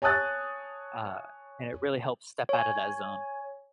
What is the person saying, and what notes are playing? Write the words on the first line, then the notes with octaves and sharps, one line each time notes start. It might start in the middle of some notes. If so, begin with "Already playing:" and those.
Uh, and it really helps step out of that zone.
C#5 G#5 A5 D#6 F#6 A6
C#5 G#5